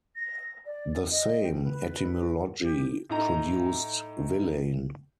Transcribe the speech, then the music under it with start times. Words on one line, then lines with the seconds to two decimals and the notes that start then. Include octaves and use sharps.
The same etymology produced villein.
0.16 A#6
0.66 D5
1.11 D#5
1.44 G5
1.64 B4
2.63 G4
3.10 A2 D#4 A#5